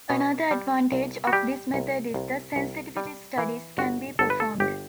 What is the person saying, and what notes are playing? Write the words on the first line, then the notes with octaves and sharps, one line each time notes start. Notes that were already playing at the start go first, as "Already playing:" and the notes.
Another advantage of this method is that sensitivity studies can be performed.
B2
G3
C2
F#4
G3 G4
C2
C2
C2
G3
E3
G1 F#4
G1 A4
B4
A4
G1 G4